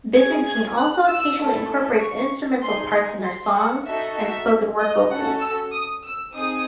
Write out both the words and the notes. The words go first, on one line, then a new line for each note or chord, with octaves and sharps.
Byzantine also occasionally incorporates instrumental parts in their songs and spoken word vocals.
C#4 G#4 G#6
G#6
F#6
E6
A3 C#4 E4 A4
C#6
D#4 G#4 C6
C6
F#5
D#4 F#4 A4 E5
E5
D#5
C#4 F#4 A4 F#5
E6
D#6
E6
C4 D#4 G#4 D#6